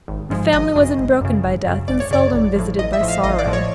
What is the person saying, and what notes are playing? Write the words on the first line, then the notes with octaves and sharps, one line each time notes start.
The family was unbroken by death, and seldom visited by sorrow.
G#1
G#2 F3 G#3
G#1 D#5
F#2 C#3
G#1
F#2 C#3
G#1
F#2 C#3
G#1 D5
C#5
F#2 C#3 D5
A1
A2 F3
A1 D#5
E5
A2 F3
F5
A1 D#5
D5
A2 F3
C#5